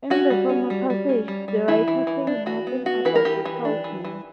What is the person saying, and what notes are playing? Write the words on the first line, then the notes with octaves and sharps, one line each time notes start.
In the former passage the writer says nothing about the child's name.
C#4 F#4
G3
C#4
G3
G3
C#4
G3
G3
E3 E4
E3
E3
D4
E3 F#4
B3
B3 F#4
E3 B4
A#4
E3 G4
E3
D4
E3
E3